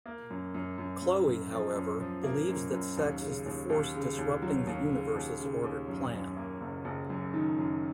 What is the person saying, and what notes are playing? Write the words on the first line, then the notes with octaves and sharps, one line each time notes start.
Chloe, however, believes that sex is the force disrupting the universe's ordered plan.
A#3
F#2
F#2
F#2
F#2
F#2
F3
F#2
F3
A#3
F#2
F#2
D#2
C#3
D#2
D#2
C#3
D#2
F#3
D#2
C#3
D#2
C#3
D#2
F#2
F#2
A#3
F#1
F#1
F#2
D#3
F#2